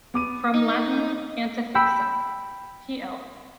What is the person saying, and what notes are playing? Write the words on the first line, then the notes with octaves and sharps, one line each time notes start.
From Latin "antefixa", pl.
B3 D6 D#7
D#4
G5 B5 E6